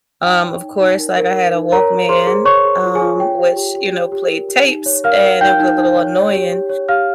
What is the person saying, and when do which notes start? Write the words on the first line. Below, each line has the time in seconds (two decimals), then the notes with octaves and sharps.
um, of course, like, I had a Walkman, um, which, you know, played tapes, and it was a little annoying
0.25 D#4 G5
0.43 C#5
0.62 D#4
0.80 D#4
0.99 A#4
1.17 A#4
1.36 A#4
1.54 D#4
1.72 A#4 C#5 A#5
1.91 C#5
2.09 G#4 C5 C6
2.27 G#4
2.45 C#5 C#6
2.64 G#4
2.83 F4
2.95 G#4 G#5
3.02 F4
3.20 C#5 G5
3.38 G4
3.56 G4
3.75 G4
3.94 C#5
4.12 G4
4.30 A#4
4.49 G4
4.67 D#4
4.86 C#5
5.04 A#4 F5 F6
5.22 A#4
5.41 D#4 G5 G6
5.60 D#4
5.78 D#4
5.96 C#5
6.15 C#5
6.33 G4
6.52 G4
6.70 C#5
6.88 G4 F5 F6